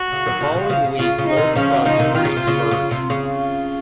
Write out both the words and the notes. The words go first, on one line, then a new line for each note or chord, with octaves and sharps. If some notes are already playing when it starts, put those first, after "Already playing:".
The following week both clubs agreed to merge.
Already playing: F#4
C#3
D#3 F#3
C#3 F3
D#3
C#3 F3
C#3 F3
C#3
C#3 F4
C#3
D#4
C3 D#3
C#3 F3 C#4
D#3 F#3
C#3 F3 D#4
C3 D#3
D#3 F4
C#3
C3
C#3
C#3
C3
C#3
F4